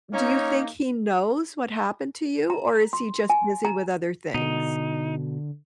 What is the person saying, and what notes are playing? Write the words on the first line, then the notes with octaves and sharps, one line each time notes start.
do you think he knows what happened to you, or is he just busy with other things?
A#3 C#4 D#4
A#5
C6
G#5
A#5
B2 D3 D#4